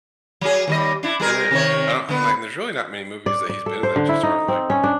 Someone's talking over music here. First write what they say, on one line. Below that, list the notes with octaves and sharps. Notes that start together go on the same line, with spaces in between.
and it I don't um, like, there's really not many movies that he's been in that just aren't, like,
F#3 G#4
D#2 G3 D#5
D4 E4
G3 G#4 A#4
C3 D#3 C#5
D3 B3
D5
D5
A4
C5
D3
E4
D#4
C4
C#4
D4